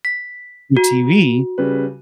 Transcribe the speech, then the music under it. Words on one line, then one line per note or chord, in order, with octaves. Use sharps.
new TV,
B6
F#4
C#3 G3 B4